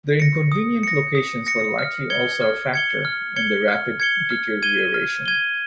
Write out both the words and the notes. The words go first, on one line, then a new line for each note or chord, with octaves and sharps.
Their inconvenient locations were likely also a factor in their rapid deterioration.
A#6 C#7
D#6
A#6 C#7
D#6
A#6 C#7
F6
G#6 C#7 G7
F6
G#6 C#7 G7
F6
G#6 C#7 G7
F6
G#6 C#7 G7
F6
G#6 D#7 G7
F6
G#6 D#7 G7